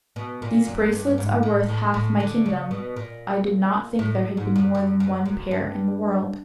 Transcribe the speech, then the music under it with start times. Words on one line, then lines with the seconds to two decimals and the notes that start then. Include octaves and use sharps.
"These bracelets are worth half my kingdom; I did not think there had been more than one pair in the world."
0.16 B2
0.42 A#2
0.67 F#2
0.92 G2
1.07 G2
1.18 G#2
1.43 A2
1.68 A2
1.94 A2
2.20 D3
2.46 C#3
2.71 B2
2.96 A#2
3.99 A2
4.37 G#2
4.56 F#2
4.75 F#2
5.00 F#2
5.25 F#2
5.51 G2